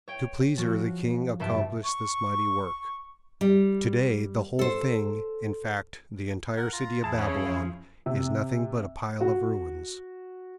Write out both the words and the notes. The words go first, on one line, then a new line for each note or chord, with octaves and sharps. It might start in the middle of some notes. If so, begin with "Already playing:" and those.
To please her the king accomplished this mighty work. Today the whole thing, in fact, the entire city of Babylon, is nothing but a pile of ruins.
C#5 G5
F3 F#4
F#1 G2 E5 G5 A5
C#6
G3
A4 C5
A#4 F#5
F4 A#5
E2 E4 G#4 A5
C#3 C#4
F2 F3
C3
F#4